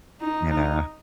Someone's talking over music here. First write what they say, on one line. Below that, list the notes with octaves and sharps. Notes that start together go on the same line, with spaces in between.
you know.
D#4
D#4